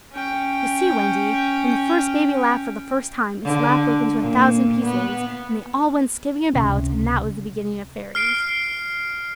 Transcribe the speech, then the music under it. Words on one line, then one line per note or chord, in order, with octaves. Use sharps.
"You see, Wendy, when the first baby laughed for the first time, its laugh broke into a thousand pieces, and they all went skipping about, and that was the beginning of fairies."
C#4 G5
D3
A#2
B3
C#2 C3 C#4
F6 C7 D7